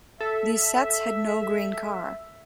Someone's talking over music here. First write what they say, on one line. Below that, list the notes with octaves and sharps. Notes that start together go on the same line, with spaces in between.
These sets had no Green car.
A4 E5